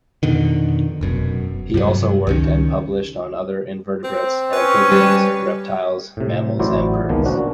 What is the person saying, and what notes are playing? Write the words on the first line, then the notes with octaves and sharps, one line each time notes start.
He also worked and published on other invertebrates, amphibians, reptiles, mammals and birds.
F2 B2 D3 D#3
F1 F#2 B2
G2 C3 F#3
C#2 D#3 C#4
C4
C#4 B4
G3
A2 C3
A1 F#3 E4 F#4 C5 D5
C#2 A#2 D#3 F3 B3
C#4 D4 F#4